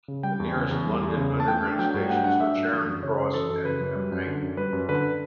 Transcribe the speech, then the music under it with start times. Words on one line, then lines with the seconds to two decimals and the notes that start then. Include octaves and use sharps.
The nearest London Underground stations are Charing Cross and Embankment.
0.08 C#3
0.23 G3 G5
0.40 E2
0.55 C#3
0.71 E2
0.86 G3
1.01 E2
1.17 C#3
1.33 E2
1.40 A5
1.48 A3 G5
1.64 D4
1.79 F#3 G5
1.94 G2
2.10 A3 F#5
2.17 G5
2.24 D4 F#5
2.40 F#3 E5
2.57 G2
2.72 E3
2.87 F#2
3.02 C#3 C#5
3.18 F#2
3.34 E3 A4
3.49 F#2
3.65 C#3 B4
3.81 F#2
3.95 G3
4.12 F#2
4.27 D3
4.42 F#2
4.57 G3 B4
4.73 F#2
4.89 D3 B4